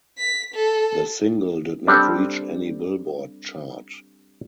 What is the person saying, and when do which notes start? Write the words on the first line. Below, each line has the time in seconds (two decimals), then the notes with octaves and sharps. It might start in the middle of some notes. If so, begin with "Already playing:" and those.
The single did not reach any Billboard chart.
0.19 B6
0.54 A4
1.87 G3 C4 D4 G4 A4